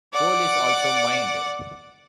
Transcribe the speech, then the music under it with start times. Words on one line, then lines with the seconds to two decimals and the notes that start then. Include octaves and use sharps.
Coal is also mined.
0.13 D5 F#5 D6